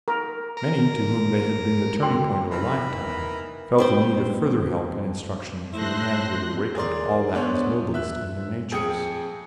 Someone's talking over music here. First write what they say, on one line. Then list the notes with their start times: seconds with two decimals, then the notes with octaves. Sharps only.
Many to whom they had been the turning point of a lifetime, felt the need of further help and instruction from the man who had awakened all that was noblest in their natures.
0.08 A#4
0.57 A#4
2.02 F#4 G5 C6
2.52 E3 D#4 A#4 B5
3.78 C4 B4 C5
5.74 A3 E4 C5 C6 F#6 A#6
6.75 G#4 A#4 D5 C6
7.34 B3 D4 C5 C#5
7.94 E5 F#6
8.71 F2 G#4 G5 D#6 C#7